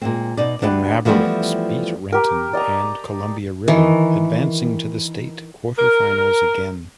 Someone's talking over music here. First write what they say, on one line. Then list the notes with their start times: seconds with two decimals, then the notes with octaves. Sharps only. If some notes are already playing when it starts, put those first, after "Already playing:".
The Mavericks beat Renton and Columbia River advancing to the state quarterfinals again.
0.02 A#2 G#3 C4
0.37 B2 D#4 D5
0.62 D2 D4 G4 B4
1.05 E3 F3 G3 A3 B3 C4
2.13 G4 A#4
2.53 D5 D#5 A5 A#5
3.68 D#3 E3
5.78 A#4